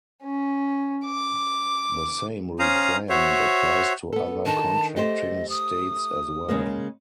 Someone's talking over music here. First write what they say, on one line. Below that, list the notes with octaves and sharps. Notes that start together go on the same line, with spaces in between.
The same requirement applies to other contracting states as well.
C#4
D6
C#4 C5 F5 A#5 D#6
F#4 C5 C#5 E5
B3 A4
D#3 D4 D#4 A5
A3 G4 C5 D#5
D#6
C#3 G#3 A#3